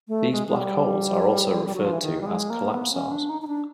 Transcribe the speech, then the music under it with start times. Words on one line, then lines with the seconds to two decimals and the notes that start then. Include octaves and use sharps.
These black holes are also referred to as collapsars.
0.08 A3
0.32 G#3
0.47 G#3
0.56 G3
1.66 G3
1.75 F#3
1.84 F3
1.93 E3
2.02 D#3
2.21 G3
2.26 G#3
2.50 A#3
2.74 B3
2.92 C#4
3.11 D4
3.29 D#4
3.42 D#4
3.47 D4